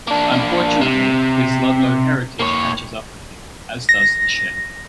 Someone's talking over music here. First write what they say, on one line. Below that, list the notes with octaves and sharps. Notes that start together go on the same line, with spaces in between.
Unfortunately his Ludlow heritage catches up with him, as does the Shade.
A#3 D4
C3
A#3 C#5
A#6